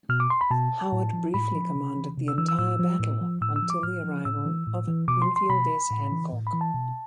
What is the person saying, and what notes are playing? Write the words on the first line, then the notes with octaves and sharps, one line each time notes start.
Howard briefly commanded the entire battle until the arrival of Winfield S. Hancock.
B2 F6
D6
C6
B5
B2 A5
A2
F3
A2 B5
F3
C3
E3
C3
E6
E3 E6
E6
A2 E6
F3
A2
F3
A2 E6
E6
F3
D6
A2 F6
F3
A2 E6
E3
A2
E3
B2 D6
C6
C6
B2 B5
A2
E3
A2
B5
E3
A5
B2